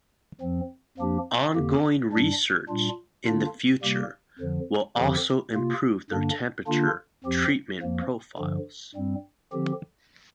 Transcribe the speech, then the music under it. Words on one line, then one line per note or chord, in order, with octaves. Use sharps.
Ongoing research in the future will also improve their temperature treatment profiles.
F2 F3 C4
F2 F3 A#3 D4 G4
F2 D3 A#3 G4
G2 G3 D4
A#2 G3 D4 F4
D3 A#3 D4 F4
C3 G3 A#3 G4
F2 D3 F3
F2 D3 F3 C4 G4
C3 A#3 F4
G2 D3 A#3 D4
D3 A#3 D4 F4
F2 F3 C4 G4
F2 F3 A#3
G2 D3 F3
G2 G3 C4
D3 F3 C4 G4